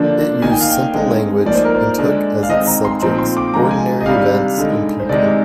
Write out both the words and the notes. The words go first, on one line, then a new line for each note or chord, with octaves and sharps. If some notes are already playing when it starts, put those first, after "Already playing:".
It used simple language and took as its subjects ordinary events and people.
Already playing: D3 F3 A#3 D4
D#3 A#3 D#4 G#5
G5
F5
G5
D3 G#3 C4 D#4
F3 A#3 D#4 D5
C5
A#4
C5
D3 G#3 D4
F5
D#3 G#3 C4 D#4 D#5
A#5
C6
A#2 F3 C4 D#4 A#5
C6
D6
D3 F3 G#3 A#5
G#5
D#5
C3 D#3 G3 D4 F5
D3 G#3 D#4
C5
C3 D#3 G#3 D#4 D5